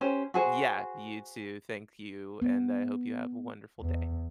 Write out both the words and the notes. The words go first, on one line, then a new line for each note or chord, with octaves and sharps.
Yeah, you too. Thank you, and I hope you have a wonderful day.
C#4 G4 C5
F#4 G#4 C5
B3
E2